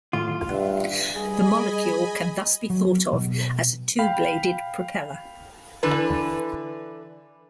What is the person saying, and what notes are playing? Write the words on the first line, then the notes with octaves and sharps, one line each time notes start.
The molecule can thus be thought of as a two-bladed propeller.
F#2 A2 D#3 F4
G2 E5 F#5
G3 G#4 D#5 G#5 B5
F#3
B2
F5 G5 B5 B6
D3 E3 B4